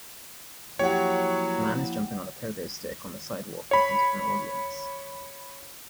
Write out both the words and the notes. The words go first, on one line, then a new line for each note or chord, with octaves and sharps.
A man is jumping on a pogo stick on the sidewalk in front of an audience.
F3 F#3 A#3 E4 G4 C#5 F#5
C#5 B5